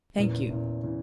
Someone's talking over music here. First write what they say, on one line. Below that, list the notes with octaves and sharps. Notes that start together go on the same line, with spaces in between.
Thank you.
E2 A#2 C#3 E3
E2 A#2 C#3 E3
C#3 E3